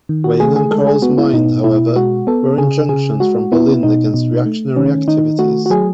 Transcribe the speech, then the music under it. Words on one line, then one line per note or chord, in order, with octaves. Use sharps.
Weighing on Kahr's mind however, were injunctions from Berlin against reactionary activities.
D#3
F#4
A3 G#4
G#4
G#3 A4
G#4
B3 F#4
E4
B2 D#4
B2 E4
G#3 F#4
B3 A4
C#3 G#4
C#3 G#4
G#3 F#4
B3 E4
B2 D#4
B2
A3
D#3 C#4
D#3 D#4
A3 F#4
F#4
F#3 G#4